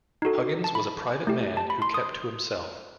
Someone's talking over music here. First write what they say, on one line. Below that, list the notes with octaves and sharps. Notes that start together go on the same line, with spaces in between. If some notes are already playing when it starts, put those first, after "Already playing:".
Huggins was a private man who kept to himself.
D#4 F#4 A4
A5
B5
A3 E4 G4
A5
B5
C6
D#6